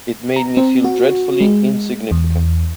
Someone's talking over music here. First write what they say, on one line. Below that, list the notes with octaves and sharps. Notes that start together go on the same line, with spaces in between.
It made me feel dreadfully insignificant.
A#5
C4
F#4
G#3
E2